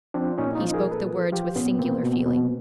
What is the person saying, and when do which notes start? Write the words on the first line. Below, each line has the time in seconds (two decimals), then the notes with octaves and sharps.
He spoke the words with singular feeling.
0.14 F3 C4 D4
0.38 A#2 C#4 D#4
0.55 D#4 F4
0.62 F3
0.74 G#4 A#4
0.86 A#2
0.91 A4 B4
1.09 F3
1.32 F3 F4 G4
1.56 A#2 B3 C#4
1.79 B2 A#3 C4
2.03 B2
2.26 B2